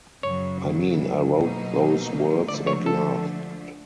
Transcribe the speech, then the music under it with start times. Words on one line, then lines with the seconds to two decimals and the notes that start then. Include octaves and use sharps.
I mean, I wrote those words and laughed.
0.23 F#2 C#3 F#3 C#5
1.35 B2 F#3 A#3 D#4
2.48 D3 F3 A3 D5
2.67 C#5
2.86 A4